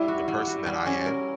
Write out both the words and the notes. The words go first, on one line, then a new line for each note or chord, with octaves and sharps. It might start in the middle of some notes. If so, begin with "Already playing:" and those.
the person that I am
Already playing: G3 E4
F#4
G3
F#4
G3
C#4
A#4